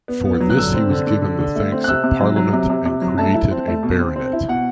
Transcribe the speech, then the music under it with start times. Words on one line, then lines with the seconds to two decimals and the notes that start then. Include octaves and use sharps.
For this he was given the thanks of parliament and created a baronet.
0.08 B3
0.25 B3
0.40 F#3
0.50 F#6
0.57 D3 E6
0.74 C4
0.90 D3
1.07 D3
1.22 D3
1.39 D3
1.56 A3
1.72 C4
1.84 F#6
1.88 C3 E6
2.04 C3
2.20 F#3
2.36 F#3
2.53 C3
2.70 C3
2.86 C3
3.02 F#3
3.18 A3 A5
3.34 E4
3.51 C4
3.68 A3
3.83 B2
4.00 C4
4.16 C4
4.33 E4
4.49 B2 F#5